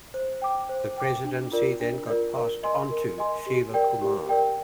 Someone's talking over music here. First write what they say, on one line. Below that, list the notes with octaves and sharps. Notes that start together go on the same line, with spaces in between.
The presidency then got passed onto Shiva Kumar.
C5
G5 D6
C5
G5 D6
D4
F4 A#4 D5
D4
F4 A#4 D5
A#4
D#5 G#5 C6
A#4
D#5 G#5 C6
G4
A#4 D5 G5
G4
A#4 D5 G5